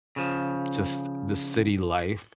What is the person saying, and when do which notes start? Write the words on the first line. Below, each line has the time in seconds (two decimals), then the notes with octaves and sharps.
just the city life,
0.16 C#3 F3